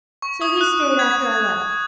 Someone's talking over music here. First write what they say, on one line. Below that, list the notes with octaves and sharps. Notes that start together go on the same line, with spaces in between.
So he stayed after I left.
C#6
D#6
F#6
F#6
G#6